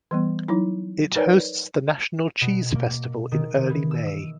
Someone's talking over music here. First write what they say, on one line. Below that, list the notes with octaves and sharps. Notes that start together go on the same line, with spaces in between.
It hosts the national cheese festival in early May.
E3 G3 B3
F#3 D#4 E4
D#4 A#4 B4 C#5 D5
B2
A#3
D#3
E3
E6
E6